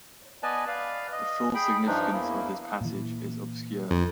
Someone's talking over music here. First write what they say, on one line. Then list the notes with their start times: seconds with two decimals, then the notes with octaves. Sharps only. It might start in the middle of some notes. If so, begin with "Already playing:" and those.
The full significance of this passage is obscure.
0.43 B3 B4 D5 D#5 G#5 A5
0.67 B4 D5 F5
1.12 D#5
1.55 G#4 G5 B5
1.87 G2 E3 F3 D4 D#4
2.13 E2 A#3 E4
2.81 A#2 E3
3.91 F2